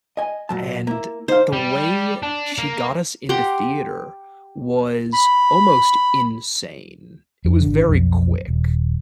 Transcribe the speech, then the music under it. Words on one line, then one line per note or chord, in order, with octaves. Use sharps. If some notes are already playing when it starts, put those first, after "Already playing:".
and the way she got us into theater was almost insane. It was very quick.
D#5 G#5
A#2 F#3 A5
A#3 E4
D#4 C5 F5
G3
D4
A#3
G4 F#5 A#5 C6
B5
F2
G#1 D3
B1 F2
D#1